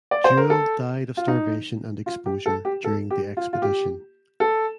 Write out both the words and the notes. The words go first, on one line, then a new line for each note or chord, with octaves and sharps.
Jewell died of starvation and exposure during the expedition.
D5
C5
A#4
A4
F4
D#4
F4
G4
A4
G4
A4
G4
F4
F4
G4
A4